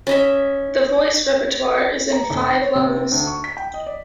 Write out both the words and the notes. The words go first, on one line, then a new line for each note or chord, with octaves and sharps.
The voice repertoire is in five Levels.
C#4 D#5 E5
A#5
F1
A6
C#5
C3
C4
D2
C#6
B6
G5
D#5
D5